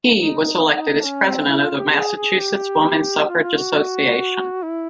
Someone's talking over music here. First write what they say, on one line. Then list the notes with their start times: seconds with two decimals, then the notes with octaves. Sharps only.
He was elected as president of the Massachusetts Woman Suffrage Association.
0.15 D#4
1.00 D4
1.04 C#4
1.26 C4
1.49 E4
1.64 F4
1.78 G4
1.90 G4
1.94 G#4
2.16 G#4
2.39 G4
3.28 F4
3.43 F4
3.58 F#4
4.62 E4